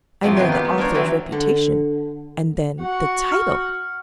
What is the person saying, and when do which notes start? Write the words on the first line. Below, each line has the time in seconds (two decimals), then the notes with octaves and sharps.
"I know the author's reputation; and then, the title!"
0.23 F2 C3 F3 F#3
0.36 D#3 B3 D#4 G#5 C6
0.52 F4 G4
0.65 G#3
0.78 D4 A#4 C5 C#5
0.94 E3 F#3 C4
1.32 D3
2.81 F#4 F#5 C#6
3.32 F6